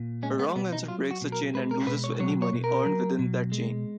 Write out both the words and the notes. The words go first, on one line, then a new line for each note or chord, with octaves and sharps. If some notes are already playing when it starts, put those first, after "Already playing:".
A wrong answer breaks the chain and loses any money earned within that chain.
Already playing: A#2
G#3 C#4
B3
B2 B3
D#4
F#3 F4
F#4
B2
A#4
G#3 B4
A#4
B2 B4
C#5
F#3 C#5
C#5
B2
A#4
F#3
B2
G#3